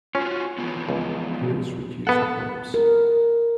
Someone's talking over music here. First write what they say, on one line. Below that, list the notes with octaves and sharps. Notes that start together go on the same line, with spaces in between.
Hill's reduced corps.
C#4 F4 F#4
E3 F3 B3
C#2
B3 A4 F#5
A#4